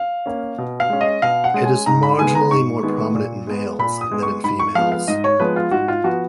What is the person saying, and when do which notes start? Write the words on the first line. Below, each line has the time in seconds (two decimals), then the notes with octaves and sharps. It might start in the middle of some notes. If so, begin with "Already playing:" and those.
It is marginally more prominent in males, than in females.
Already playing: F5
0.26 A#3 C#4
0.58 B2
0.80 F5
0.90 G#3 C#4
1.01 D#5
1.22 B2 F5
1.44 F#5
1.54 G#3 C#4
1.65 G#5
1.86 G#2 A#5
2.03 B5
2.18 D#3 G#3 B3 G#5
2.35 A#5
2.51 G#2 C#6
2.83 D#3 G#3 B3
3.15 A#2
3.47 G#3 B3
3.79 A#2 B5
4.01 D#6
4.11 G#3 B3
4.23 C#6
4.44 G#2 B5
4.59 C#6
4.75 F3 G#3 B3 F5
4.92 F5
5.08 G#2 D#5
5.24 C#5
5.40 F3 G#3 B3 B4
5.56 F4
5.71 G#2 F#4
5.88 F4
6.04 F3 B3 F#4